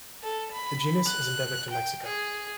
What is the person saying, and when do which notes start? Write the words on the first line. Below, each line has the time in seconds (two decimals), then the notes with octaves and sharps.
The genus is endemic to Mexico.
0.23 A4
0.52 B5
1.06 F#6
1.71 G5
2.04 G#4